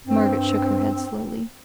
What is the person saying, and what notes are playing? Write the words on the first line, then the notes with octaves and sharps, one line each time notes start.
Margaret shook her head slowly.
G2 C4